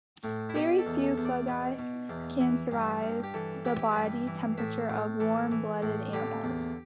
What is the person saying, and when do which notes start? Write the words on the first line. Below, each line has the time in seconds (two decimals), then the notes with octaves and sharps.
Very few fungi can survive the body temperatures of warm-blooded animals.
0.24 A2
0.49 E4
0.55 B2 G4
0.79 A4
0.87 E2
1.02 A4
1.18 E2
1.25 D5
1.48 B2
1.79 B2
2.09 E2
2.40 E3
2.71 G2
3.03 G2
3.23 G4
3.34 E3 A4
3.65 E3 G4
3.91 D5
3.95 G2 B4
4.27 E3
4.58 A2 E5
4.90 A2
5.20 E3 A4
5.52 E3
5.82 A2
6.13 D3 G4
6.44 E2